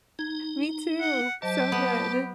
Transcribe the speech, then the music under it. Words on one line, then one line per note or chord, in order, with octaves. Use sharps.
Me too. So good.
D#4 G#6
F#5
F#3 G4 C5 D#5 A5
B3